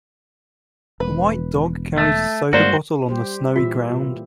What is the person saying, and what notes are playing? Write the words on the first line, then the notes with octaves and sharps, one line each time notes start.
A white dog carries a soda bottle on the snowy ground.
E1 B4
A3
G2 G#3 A#3 F#4 C5 D5
G3 G4 C5
A#2 E3 F4 E5